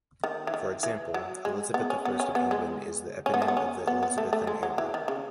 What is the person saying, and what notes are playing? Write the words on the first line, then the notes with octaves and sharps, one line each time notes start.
For example, Elizabeth the First of England is the eponym of the Elizabethan era.
D#3
E3
D#3
E3
F#3
G#3
B3
C#4
B3
C#4
B3
G#3
C#4
B3
A3
B3
C#4
B3
B3
A3
A3
G#3
F#3
E3
D#3
C#3